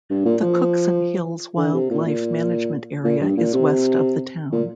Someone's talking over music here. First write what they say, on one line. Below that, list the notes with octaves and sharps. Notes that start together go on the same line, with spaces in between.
The Cookson Hills Wildlife Management Area is west of the town.
G2
A#2
F3
D3
C3
A#2
A#2
A#2
G2
A#2
C3
A#2